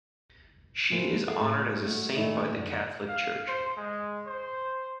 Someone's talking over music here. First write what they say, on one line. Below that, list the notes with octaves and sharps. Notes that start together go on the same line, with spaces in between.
She is honored as a saint by the Catholic Church.
E3 F3 A#3
G#4 A4 F5 F#5
A2
A3 F#4 F#5
A#2 D#3 E3 A3 D#4 E4
F#2 D3
F5
C5
G#3
C5